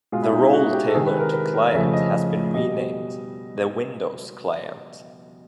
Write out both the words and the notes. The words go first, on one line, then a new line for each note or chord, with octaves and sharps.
The RoleTailored Client has been renamed the Windows Client.
B2 G#3 F4
E4
D#4
E4
F#4
G4
A4
C3 D#3 G#3 G#4
B4
A#4
B4
A#4
F2 C#3 F3 A3 E5
D#5
B2 G3 D#5